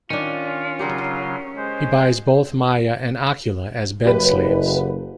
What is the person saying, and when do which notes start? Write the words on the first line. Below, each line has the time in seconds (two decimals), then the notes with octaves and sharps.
He buys both Maia and Occula as "bed-slaves".
0.10 D#3 C#4 D4 F4
0.79 C#3 F#3 G4 A#4 D5 C6
1.57 G#3 C5
4.05 F#1 G4 B4